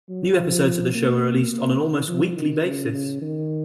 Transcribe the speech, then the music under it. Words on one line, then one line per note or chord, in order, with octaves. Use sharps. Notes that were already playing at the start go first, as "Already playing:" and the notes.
New episodes of the show are released on an almost weekly basis.
F#3
F3
A#3
A#3
D#3
F3
D#3
C#3
C#3
D#3